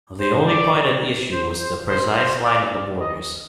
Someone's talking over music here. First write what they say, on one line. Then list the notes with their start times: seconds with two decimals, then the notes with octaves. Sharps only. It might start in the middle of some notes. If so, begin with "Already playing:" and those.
The only point at issue was the precise line of the borders.
0.20 C5
0.47 D5
1.32 C5
1.60 C5
1.88 C5
2.17 C5
2.44 D5
3.00 D#5